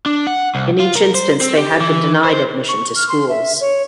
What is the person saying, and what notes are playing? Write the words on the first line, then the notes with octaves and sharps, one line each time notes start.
In each instance, they had been denied admission to schools.
D4
F#5
C2
F4
A#4
C5
C4
G4
E3
C5
C#6
F6
C6
E5
C#5